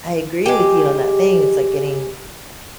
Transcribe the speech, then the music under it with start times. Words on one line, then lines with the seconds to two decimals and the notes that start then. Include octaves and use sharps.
I agree with you on that thing, it's like getting,
0.46 G#3 G4